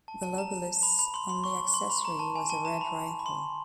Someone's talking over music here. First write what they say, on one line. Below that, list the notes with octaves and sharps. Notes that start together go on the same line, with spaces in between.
Golobulus' only accessory was a red rifle.
A5
A5
A#5
B5
B5
C6
C6
C#6
C6
B5
A#5
A5
G#5
A5
A#5
B5
B5
C6